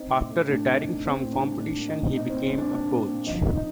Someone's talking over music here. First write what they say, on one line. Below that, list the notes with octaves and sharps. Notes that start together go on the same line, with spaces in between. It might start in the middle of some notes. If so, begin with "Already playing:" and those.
After retiring from competition he became a coach.
Already playing: C4 D#4
A2
A3
A2 D4
C4
D#4
A2
A#3 C4
A2
D4
G3
A2 D4
A#3
D#4
A2
C4 D#4
C4
A#2
C4
G3 D4
A#2 D4
C4
A#2
F3 D#4
F2
D#4